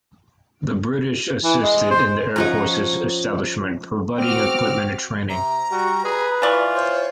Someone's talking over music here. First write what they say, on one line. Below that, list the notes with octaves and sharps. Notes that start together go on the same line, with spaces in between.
The British assisted in the Air Force's establishment, providing equipment and training.
E3
G#3
C5
F3 C#4 D#4 F4 F#5 A#5
C4 F#4 D6 F6
C3 A#5
G3 F#4
G#4 B4
E3 F4 D5 C#6
C5 C#5